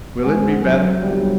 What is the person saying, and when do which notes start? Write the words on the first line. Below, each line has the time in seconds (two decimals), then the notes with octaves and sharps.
"Will it be better?"
0.25 G#3 C#4 G#4 C5 F#5
0.62 F#3
1.00 G1 C2 F#3 G3